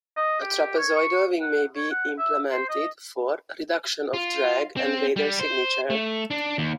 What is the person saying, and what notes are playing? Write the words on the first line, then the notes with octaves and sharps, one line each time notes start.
A trapezoidal wing may be implemented for reduction of drag and radar signature.
D#5
G4
C#5
C#6
F#5
C#5
F#5
E5
C5
D#5
F4
C4
G3
C5
A3
D4
D#2